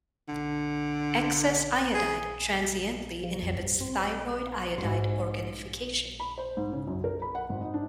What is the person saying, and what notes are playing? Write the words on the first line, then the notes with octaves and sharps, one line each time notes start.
Excess iodide transiently inhibits thyroid iodide organification.
D3
G#4
F3
F2
G2
C4
G#2 F#4 C5
B5
C5
G#2
C#3
F#2
A#4
B5
F#5
G#1
D#4
D4